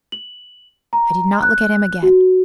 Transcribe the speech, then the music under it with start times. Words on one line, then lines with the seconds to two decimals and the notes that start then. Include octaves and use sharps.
I did not look at him again.
0.12 F#7
0.93 A#5
1.42 F#6
2.03 F#4